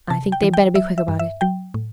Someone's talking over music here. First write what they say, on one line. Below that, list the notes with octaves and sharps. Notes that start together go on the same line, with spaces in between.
I think they'd better be quick about it.'
C3 A5
G5
E3
G5
F#3 E5
E5
G2
E5
F#3 G5
A2